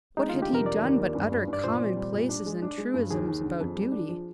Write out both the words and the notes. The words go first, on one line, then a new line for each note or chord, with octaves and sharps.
What had he done but utter common-places and truisms about duty?
G#3 D#4
D3 F4
G4
F1 A#4
D4 D5
D#2
A#3
G2
G2
G2
D5
A#2 C5
C4
G3
A#2
D4
G#3
D4
G#3
G2
D#2 G#4
D#2
D3
F2
G3
D4
F3